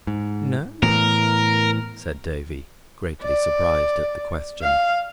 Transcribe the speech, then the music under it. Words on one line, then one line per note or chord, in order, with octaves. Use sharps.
"No," said Davy, greatly surprised at the question.
G#2
A2 E3 B3 A#4
D5
F5